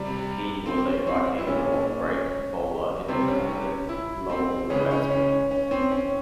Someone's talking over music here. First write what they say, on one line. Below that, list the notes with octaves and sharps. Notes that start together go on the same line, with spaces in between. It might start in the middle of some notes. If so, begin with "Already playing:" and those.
He was a right-handed offbreak bowler and a competent lower-order batsman.
Already playing: C3 G3
C4
C#4
C4
E4
A#2 G#3 C#4
C#4
C3 G3 C4
C#4
C#4
E4
C4
C#3 E3 G#3 C#4
C#4
C#4
C#4
C4
C#4